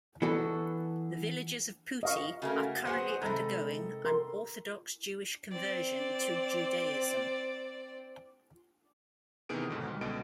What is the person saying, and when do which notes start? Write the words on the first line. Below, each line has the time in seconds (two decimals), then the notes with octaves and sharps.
The villagers of Putti are currently undergoing an Orthodox Jewish conversion to Judaism.
0.22 E3 B3 D4 F#4 A4
2.03 D#5 F5 C#6
2.42 C#3 A3 A#3 F#4
2.85 F#3 B3 G#4 C5 F#5
3.22 C3 D#3 G#3 A4 A#5 B5
4.05 A#4 C6
5.52 C4 D5
9.49 C3 D#3 E3 B3 G#4 D7
9.69 D#2 G#2 B2 D3
9.88 G#2 G3
10.01 C#2 B2 D3 D#5 D7